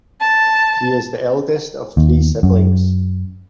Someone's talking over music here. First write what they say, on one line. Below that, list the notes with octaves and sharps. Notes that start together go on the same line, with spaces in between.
He is the eldest of three siblings.
A5
D#2
F#2